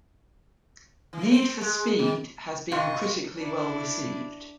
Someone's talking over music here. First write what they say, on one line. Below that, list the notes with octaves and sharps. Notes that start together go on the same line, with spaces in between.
"Need for Speed" has been critically well received.
E3
C4
G#3
D#3
G#2 C3 F4 D#5 C#6
D4 E4